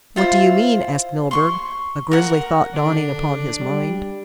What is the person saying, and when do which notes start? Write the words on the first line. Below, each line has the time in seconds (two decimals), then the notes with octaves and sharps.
"What do you mean?" asked Milburgh, a grisly thought dawning upon his mind.
0.16 E4 F4 C5
1.31 C6 C#6
2.11 A#4 F#5
2.75 D3 D4
3.60 G3